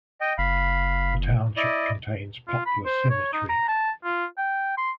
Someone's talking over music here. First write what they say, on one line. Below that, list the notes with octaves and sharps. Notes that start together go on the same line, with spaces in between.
The township contains Poplar Cemetery.
D#5 G5
F#1 F5 B5
E4 D5 D#5
F4
B5
C5
C#5
D#4
A#5
A5
F4
G5
C6